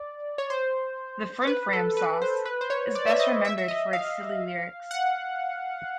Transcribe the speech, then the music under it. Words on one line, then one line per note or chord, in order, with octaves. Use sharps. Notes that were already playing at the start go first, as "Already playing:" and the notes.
"The Frim Fram Sauce" is best remembered for its silly lyrics.
Already playing: D5
C#5
C5
B4
A4
B4
C5
B4
C5
C#5
D5
E5
D#5
E5
E5
D#5
F5
F#5